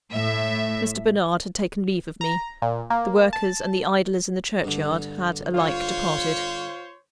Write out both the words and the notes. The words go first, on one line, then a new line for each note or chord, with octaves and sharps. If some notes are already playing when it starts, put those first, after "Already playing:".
Mr. Bernard had taken leave of me; the workers and the idlers in the churchyard had alike departed.
A2 E5
A#5
A#2
A#3
A5
G2 D3
F4 C5 C#5